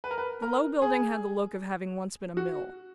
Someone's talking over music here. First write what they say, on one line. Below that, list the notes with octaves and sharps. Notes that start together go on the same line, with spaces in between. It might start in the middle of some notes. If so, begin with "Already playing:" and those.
The low building had the look of having once been a mill.
B4
A#4
B4
A#4
G#4
F#4